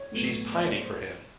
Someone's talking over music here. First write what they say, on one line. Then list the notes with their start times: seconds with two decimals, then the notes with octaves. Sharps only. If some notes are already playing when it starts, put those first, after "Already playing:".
She's pining for him.
Already playing: C#5
0.12 A2 F#3 B3
0.52 D5
0.65 C#5
0.78 C5